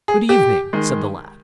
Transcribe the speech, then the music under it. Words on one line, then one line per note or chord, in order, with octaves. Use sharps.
'Good evening!' said the lad.
G#4
G4
D#3 G#3